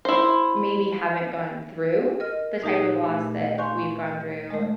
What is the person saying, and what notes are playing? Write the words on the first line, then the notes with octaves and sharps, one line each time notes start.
maybe haven't gone through the type of loss that we've gone through
E4 C5
A#4 D#5 F6
A#2 D#4 G4 G#4
A#2 A3
F5 G#5 C6 C#6 F#6 G6
G#3 A3